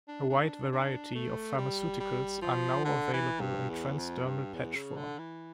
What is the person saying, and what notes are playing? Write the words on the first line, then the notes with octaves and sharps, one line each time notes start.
A wide variety of pharmaceuticals are now available in transdermal patch form.
D4
D4
D4
A3
G3
G3
F3
D3
E3
G2
E2
F2
G2
E2
C#3
D3
E3